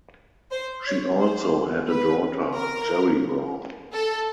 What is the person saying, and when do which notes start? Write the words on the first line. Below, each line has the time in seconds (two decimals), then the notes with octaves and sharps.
She also had a daughter, Jeri Brown.
0.51 C5
0.86 C#5
1.20 C5
1.88 B4
2.56 A#4
3.94 A4